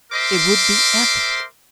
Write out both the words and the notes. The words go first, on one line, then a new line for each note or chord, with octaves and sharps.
It would be epic.
A#4 C5 E5 C6 D6